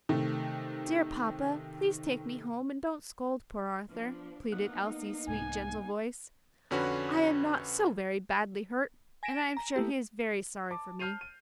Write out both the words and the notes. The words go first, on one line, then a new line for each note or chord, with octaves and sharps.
"Dear papa, please take me home, and don't scold poor Arthur," pleaded Elsie's sweet, gentle voice; "I am not so very badly hurt, and I am sure he is very sorry for me."
C3 D#3 A3
F3 B3 D4
A#3 B3 D#4 F#5
C2 G#2 G#5
F2 D3 C#4 F#4 B4 B5
G#5 A#6 B6 D7 E7
A#5
A3 E4 G4
A5 D6
A5 F6 G6 C7 D#7 F7
D#7